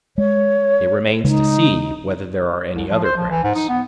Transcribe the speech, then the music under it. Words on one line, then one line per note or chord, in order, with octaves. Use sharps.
It remains to see whether there are any other grounds.
G#3 C#5
C#3 G#3 D#4
C2
F3
C5
F3
E3
G#2
D#4
B3